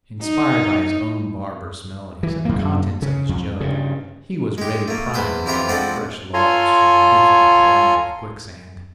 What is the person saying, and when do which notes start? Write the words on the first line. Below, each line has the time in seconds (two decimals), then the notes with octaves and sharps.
Inspired by his own barbarous melodies and the contents of his jug, he was ready primed to gather fresh laurels from the diffident brow of Quicksand.
0.22 D#4
2.23 E3
2.45 F#2 A#3
3.02 C#3
3.29 F2
3.60 G2 C#3
4.58 G#3 G4
4.88 A3 A#3
5.14 E2 B4 C5 C6
5.46 F2 E3 F4 G4 C5 E5
5.69 F3 G#3 C4 D4 A4 F#5
6.34 F4 A4 C#5 G#5 A#5 C6